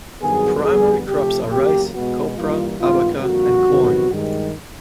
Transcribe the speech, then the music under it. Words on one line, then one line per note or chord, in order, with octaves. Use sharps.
Primary crops are rice, copra, abaca, and corn.
G2 D#3 F#3 B3 G#4
F2 D3 G3 B3 G#4
C3 F3 A3 G4
E2 C#3 F#3 A#3 G4
B2 G#3 B3 F#4
G2 E3 G3 A#3 F4
G2 D#3 G#3 B3 F4
F2 D3 G3 A#3 F#4
E2 C3 D#3 F#3 B3
G2 D#3 G#3